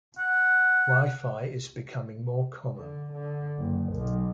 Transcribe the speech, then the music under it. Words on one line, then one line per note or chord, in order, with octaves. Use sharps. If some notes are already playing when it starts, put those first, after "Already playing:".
WiFi is becoming more common.
F#5
D3
D3
F#1
B1